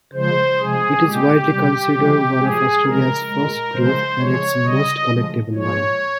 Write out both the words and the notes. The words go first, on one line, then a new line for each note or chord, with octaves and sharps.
It is widely considered one of Australia's "first growth" and its most collectable wine.
C#3 F3 G#3 C5
C3 F3 G#3 G#4
A#2 G#3 G4
C3 G3
C#3 F3 G#3
A#2 F3 G#3 G#4
C#3 F3 G#3 A#4
A#2 G#3
C#3 F3 G#3 C5
C#3 F3 G#3 C#5
C#3 G3 D#5
C#3 F3 G#3
A#2 F3 G#3 C#5